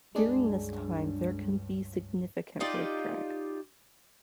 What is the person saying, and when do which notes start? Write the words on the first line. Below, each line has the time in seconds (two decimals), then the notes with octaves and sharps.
During this time, there can be significant brake drag.
0.15 C#2 G2 G#3 D4 G#4
2.60 D#4 F4 G4 D5